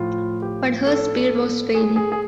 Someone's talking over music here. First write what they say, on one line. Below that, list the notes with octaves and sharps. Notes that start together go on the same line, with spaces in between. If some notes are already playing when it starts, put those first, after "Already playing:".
But her speed was failing.
Already playing: A2 F3 F4
G4
A4
G#4
G#4
G#4